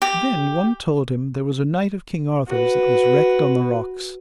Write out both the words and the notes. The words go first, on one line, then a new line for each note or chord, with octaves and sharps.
Then one told him there was a knight of King Arthur's that was wrecked on the rocks.
G4
F#4 B4